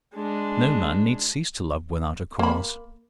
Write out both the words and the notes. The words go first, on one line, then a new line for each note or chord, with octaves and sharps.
No man need cease to love without a cause.
G#3 D4
A#3 B5